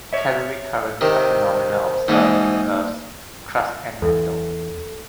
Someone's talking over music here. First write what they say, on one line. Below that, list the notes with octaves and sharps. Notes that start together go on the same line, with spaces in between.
Telluric currents are phenomena observed in the Earth's crust and mantle.
C#5 E5
C3 D#3 C5
B2 E3 G#3 A#3 D#4
E2 A4